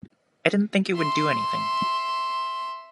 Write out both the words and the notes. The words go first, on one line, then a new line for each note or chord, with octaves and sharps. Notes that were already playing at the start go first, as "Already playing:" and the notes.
I didn't think it would do anything.
E5 C6